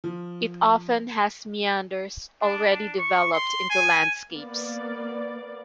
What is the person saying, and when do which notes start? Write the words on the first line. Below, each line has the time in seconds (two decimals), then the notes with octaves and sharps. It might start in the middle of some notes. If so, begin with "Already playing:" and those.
It often has meanders already developed into landscapes.
0.04 F3
2.42 D4
2.98 C#6
3.33 C6
3.70 G#5
4.32 A#3 B3 D5